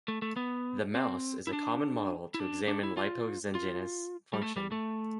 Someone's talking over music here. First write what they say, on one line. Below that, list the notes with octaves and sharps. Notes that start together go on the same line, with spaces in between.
The mouse is a common model to examine lipoxygenase function.
A3
A3
B3
C4
E4
D4
E4
D4
D4
E4
F4
F4
G3
A3
G3
A3